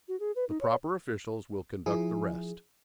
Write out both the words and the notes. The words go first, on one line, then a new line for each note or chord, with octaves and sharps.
The proper officials will conduct the rest....
F#4
G#4
B4
D#4
C#5
F3 E4 G#4